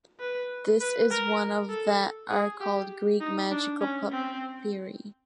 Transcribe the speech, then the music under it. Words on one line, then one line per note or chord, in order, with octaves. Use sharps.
This is one of that are called Greek Magical Papyri.
B4
B4
A#4
A4
G#4
G4
D#4
D4
C#4
C4